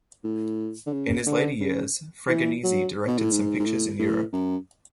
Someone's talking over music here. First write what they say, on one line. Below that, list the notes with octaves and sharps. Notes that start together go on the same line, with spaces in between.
In his later years, Fregonese directed some pictures in Europe.
A2
D3
C#3
D3
C#3
E3
F#3
B2
A2
G#2
G#2
A2
A2
F#2